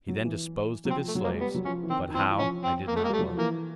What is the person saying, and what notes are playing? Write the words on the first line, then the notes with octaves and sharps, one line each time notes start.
He then disposed of his slaves, but how I did not learn.
F#3
E3
F#3
F3 C4
A3
F#3
A#3
G#3
G3 B3
F#3
F3 C#4
E3
D#3 C4
D#3
E3 C4
E3
F3 C#4
C4
A#3
A3
G#3 A#3
G3 A3
F#3
F3
E3 A#3